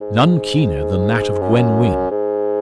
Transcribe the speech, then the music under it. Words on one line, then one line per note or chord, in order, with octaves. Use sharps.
None keener than that of Gwen Wynn.
G#2
F#2
G#2